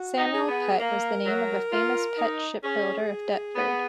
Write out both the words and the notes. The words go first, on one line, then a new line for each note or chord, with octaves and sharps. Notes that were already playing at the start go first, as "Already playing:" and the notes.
Samuel Pett was the name of a famous Pett shipbuilder of Deptford.
Already playing: F#4
D#4
G#4
B3
A#3 A#4
F#3
F4
D#4
C#4 G#4
B3